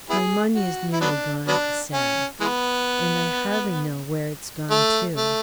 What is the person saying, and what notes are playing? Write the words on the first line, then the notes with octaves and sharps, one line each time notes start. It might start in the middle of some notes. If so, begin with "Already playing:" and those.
"My money is nearly gone," he said, "and I hardly know where it's gone to."
B3 E4 G#4
F#4
E4
F#3 B3 D4
F#3 B3 D4
C#4
E3 G#3 B3
A3
A3